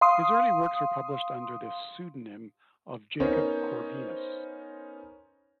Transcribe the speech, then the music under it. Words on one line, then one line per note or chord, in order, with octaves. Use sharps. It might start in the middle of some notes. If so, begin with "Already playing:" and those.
His early works were published under the pseudonym of Jakob Corvinus.
F5 C6 D#6
B3 C#4 D#4 A#4 C5 C#5